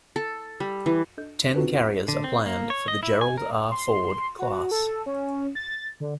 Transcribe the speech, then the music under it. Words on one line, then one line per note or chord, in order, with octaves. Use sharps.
Ten carriers are planned for the "Gerald R. Ford" class.
A4
G3
E3
D4 A4 D#5 G6
C4 D#4 F4 F#4 A4 B4
D3
C4
A#3
C#5
D#5
E4
G#5
A#4
C6
F#4
A4
C#4
A6
D3